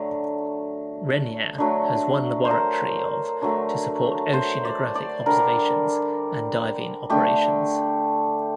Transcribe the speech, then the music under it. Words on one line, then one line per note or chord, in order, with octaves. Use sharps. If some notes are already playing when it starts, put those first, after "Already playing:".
"Rainier" has one laboratory of to support oceanographic observations and diving operations.
Already playing: D3 F#3 A3
D3 F#3 A3
C5
A#4
D3 F#3 A3
C5
D5
D5
D3 G3 A#4
D3 A3 G4